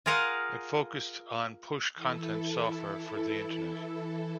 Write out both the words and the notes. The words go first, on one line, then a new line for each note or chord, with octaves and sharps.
It focused on "push" content software for the Internet.
F4 G#4 A#4 F5 F#5
E3 E4 A4